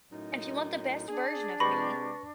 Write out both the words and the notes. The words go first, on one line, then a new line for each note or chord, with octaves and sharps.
if you want the best version of me,
F#2 A2 D#4
D4 G#4
C3 G#3 B4 B5 C#6 A#6